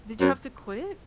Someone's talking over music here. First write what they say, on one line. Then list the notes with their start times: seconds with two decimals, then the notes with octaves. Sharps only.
Did you have to quit?
0.20 F#2